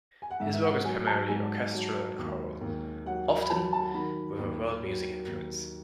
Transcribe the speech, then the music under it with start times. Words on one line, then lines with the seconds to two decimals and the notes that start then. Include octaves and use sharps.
His work is primarily orchestral and choral, often with a world music influence.
0.22 G#5
0.31 F#5
0.40 G#2 E5
0.53 E5
0.63 F#5
0.84 F#3 G#5
1.07 A5
1.28 G#2 G#5
1.74 F#3
2.18 D#2
2.61 D#2
3.06 F#3 F#5
3.28 G#5
3.42 B5
3.50 F#3 A5
3.73 A5
3.94 D#3 B5
4.38 D#2
4.83 F#3
5.27 D#2